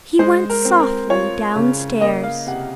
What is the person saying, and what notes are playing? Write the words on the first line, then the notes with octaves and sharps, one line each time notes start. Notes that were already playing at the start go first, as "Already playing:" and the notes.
He went softly downstairs.
G#3 C5
A#4
C4
A#4
F4 C#5
C#3
A#3 D#5
F5
C3 F#5